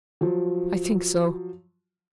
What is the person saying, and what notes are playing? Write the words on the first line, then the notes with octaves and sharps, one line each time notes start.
I think so.
F3 F#3